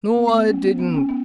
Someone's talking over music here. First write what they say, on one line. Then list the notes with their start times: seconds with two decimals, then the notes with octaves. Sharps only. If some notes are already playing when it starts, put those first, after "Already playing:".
No, I didn't.
0.17 B3
0.28 A3
0.38 B3
0.48 C#4
0.63 B3
0.79 B3
0.94 C#4
1.09 B3